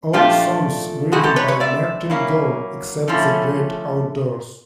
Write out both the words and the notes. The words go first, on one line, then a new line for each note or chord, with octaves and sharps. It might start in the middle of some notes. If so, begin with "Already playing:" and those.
All songs written by Martin Gore, except The Great Outdoors!
A#2 F3 A3 D4 F4 G4
C3 D#3 G#3 E4 F#4 G#4
G4 A4
B4 C#5
B4 C#5
D5 E5
F#3 A#3 C#4 E4
D3 F3 A3 C#4 E4